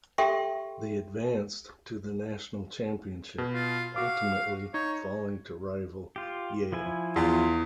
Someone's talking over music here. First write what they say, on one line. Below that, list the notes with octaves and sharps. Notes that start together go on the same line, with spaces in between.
They advanced to the national championship, ultimately falling to rival Yale.
G4 A4 E5 G5 C6 C#6
B2
F4
F#4 F5 D6
D#4 C#5
F4 G4
F3 E4 G#5
E2 F4